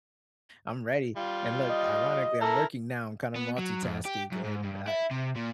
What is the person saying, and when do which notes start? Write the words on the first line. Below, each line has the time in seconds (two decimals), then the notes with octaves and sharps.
"I'm ready." And look, ironically, I'm working now. I'm kinda multitasking and, uh,
1.17 G3 F4
1.69 D#5
2.41 E4 A4 A#4 A#5
3.36 B3
3.58 F#3
3.83 F2
4.05 G4
4.32 F#2
4.45 G#2
4.64 G2
4.88 E4
5.11 C3
5.36 A#2